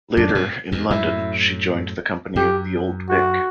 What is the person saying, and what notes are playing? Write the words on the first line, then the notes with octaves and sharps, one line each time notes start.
Later, in London, she joined the company of The Old Vic.
F#2 D4
C#3
G2 B2
E2 G2
F#2 A2 E4
F#2 G4
F#4